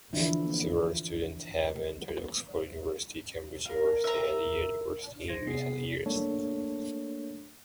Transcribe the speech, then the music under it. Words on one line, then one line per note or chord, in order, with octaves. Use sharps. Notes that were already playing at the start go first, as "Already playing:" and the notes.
Several students have entered Oxford University, Cambridge University and Yale University in recent years.
D3 E3 F3 D4 E4
A#4 F5
E5 A#5
B1 C5 G#6 A#6
C3 B3 G#4 C7
A3 A#3 D4 A4 C#5